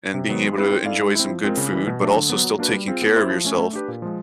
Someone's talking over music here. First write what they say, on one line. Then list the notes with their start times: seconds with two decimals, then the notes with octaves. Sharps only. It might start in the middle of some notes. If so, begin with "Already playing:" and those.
and being able to enjoy some good food, but also still taking care of yourself,
0.14 C3
0.29 D#3 F#3 B3
0.43 G#3
0.57 C4 E4 G4 B4
0.72 C4
0.86 E4 A4 D5 F5
1.00 G#3
1.15 C4 E4
1.29 F3
1.43 G#3 C4 F4 A#4
1.57 C#3
1.72 E3 G3
1.87 B2
2.01 F#3 A3 D4
2.16 D3
2.30 F#3 B3
2.44 F#3
2.59 A#3 D4 F#4 B4
2.73 G3
2.88 C4 F4 G#4
3.02 B3
3.16 E4 G4 C5 E5
3.30 F3
3.45 A3 C#4
3.59 A3
3.73 D4 G4 B4
3.88 A#2
4.02 F3 G#3